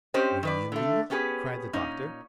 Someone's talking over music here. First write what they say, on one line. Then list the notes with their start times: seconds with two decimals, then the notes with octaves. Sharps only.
"Really?" cried the Doctor.
0.14 C4 C#4 G4 C5 D#5
0.43 D#3 B4 D5
0.72 D3 A3
1.10 B3 C#4 G4 G#4 B4
1.73 A#2 C#4 D#4